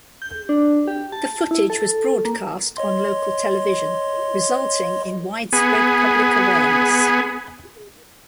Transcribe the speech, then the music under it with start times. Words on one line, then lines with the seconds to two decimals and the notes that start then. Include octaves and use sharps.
The footage was broadcast on local television, resulting in widespread public awareness.
0.22 G6
0.49 D4
0.87 G4
1.12 A5
1.51 E4
1.70 A4
2.25 A#3
2.77 C#5 D#5 C6
5.53 B3 G#4